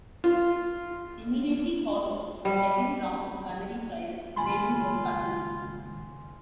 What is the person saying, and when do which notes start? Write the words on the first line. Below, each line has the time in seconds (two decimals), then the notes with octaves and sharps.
Immediately following the second round of gunnery trials, "Baden" was scuttled.
0.24 F4
2.45 G3
4.36 D#1 C#2 G#3 F4 G#5 B5 C6